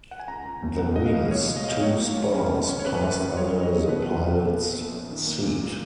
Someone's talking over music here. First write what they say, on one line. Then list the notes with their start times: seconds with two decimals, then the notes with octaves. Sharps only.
The wing's two spars passed under the pilot's seat.
0.11 F#5
0.20 G#5
0.28 C#2 A#5
0.45 C#2
0.63 C#2
0.79 B1 F#5
0.96 B1 D#5
1.06 F5
1.14 B1
1.31 B1 C#5
1.48 G#3
1.56 D#5
1.64 B3 F5
1.72 D#5
1.83 F#3 C#5
2.00 A#3
2.17 D#2
2.34 C#4
2.51 C#3
2.69 C#4
2.79 C#5
2.86 G#1 B4
3.03 F#2
3.20 F#2
3.37 F4 C#5
3.54 F#3
3.63 D#5
3.72 F#3
3.89 B2 B4
4.06 F4
4.23 B2
4.40 A#2
4.58 B3
4.75 A#1
4.92 F#2
5.10 D#3
5.27 A#3
5.44 A#2
5.61 A#2